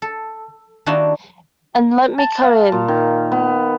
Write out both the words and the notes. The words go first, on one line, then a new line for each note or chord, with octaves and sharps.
And let me come in.
A4
D#3 A#3 D4 E4 F#4 G4
A5
F5
A#2
D#3
B3